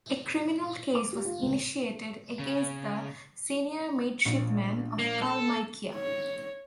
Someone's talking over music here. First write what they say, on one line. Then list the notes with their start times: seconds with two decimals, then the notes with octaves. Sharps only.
A criminal case was initiated against the senior midshipman of "Kalmykia".
0.95 D6
1.13 G4
1.25 F4
1.42 C#2
2.39 C#3
4.25 A#1
4.99 A#3
5.22 A4
5.95 C#5